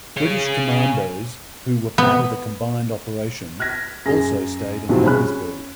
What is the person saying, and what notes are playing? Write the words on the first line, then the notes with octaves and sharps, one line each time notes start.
British commandos who were part of the combined operation also stayed in Helensburgh.
C#4 G#4
B3
F6 F#6 G#6 A#6 B6
F#2 G#4 A#6
A#1 G2 C3 D#3 F3 F#3
C#4 G#4 B5 F#6